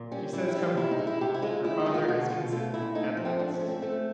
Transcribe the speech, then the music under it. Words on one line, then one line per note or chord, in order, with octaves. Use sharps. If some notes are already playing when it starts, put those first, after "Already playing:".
"She says come home--her father has consented, at last."
Already playing: A#2
G3 C#4
G3 E4
E4
G3
F4
C3 E4
D#4
G#3
E4
C3 G4
E4
G#3 F4
G#3 E4
D#4
G#3
F4
B2 F#4
B2 F4
A3 F4
A#2 E4
A3 D#4
F3
C4
G#2 D4
C#4
A3
C4
A3